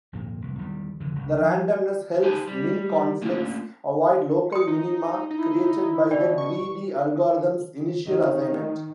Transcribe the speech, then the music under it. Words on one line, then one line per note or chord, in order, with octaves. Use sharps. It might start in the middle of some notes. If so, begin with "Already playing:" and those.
The randomness helps min-conflicts avoid local minima created by the greedy algorithm's initial assignment.
G#1 F2 A#2 A#3
F1 C2
B1 E2 D#3 G3
F1 F2 D3 D#3
F#1 C#2
F3
D#4 G4 B4 C5 G#5 A5
G3
A3 A#3 C#4 D4 F4
C6 D#6 C#7
D#4
D#4 E4
B2 E3 D5 G5
C#6
D#3 D#5